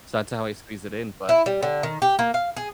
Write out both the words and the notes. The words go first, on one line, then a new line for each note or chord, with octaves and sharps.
so, that's how I squeeze it in, but
E4
G3
D3
D#3
G4
A#3
F5
G#4